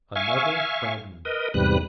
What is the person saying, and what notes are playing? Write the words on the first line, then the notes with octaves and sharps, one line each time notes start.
Another fragment.
E5 F5 G#5 C#6
A#4 B4 D#5
E2 G#2 C3 G3 B4 F#6